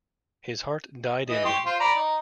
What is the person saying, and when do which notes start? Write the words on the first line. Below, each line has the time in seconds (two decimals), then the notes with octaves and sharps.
His heart died in him.
1.29 E3 D#5
1.45 G4 C6 C#6
1.66 F4 C5 C6
1.80 D5 A#5 B5
1.96 D#4